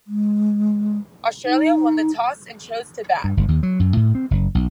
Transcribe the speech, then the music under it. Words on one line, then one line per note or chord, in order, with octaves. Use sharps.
Australia won the toss and chose to bat.
G#3
D#4
G2
G1
D#2
F#3
F#2
A2
C4
F#1
B1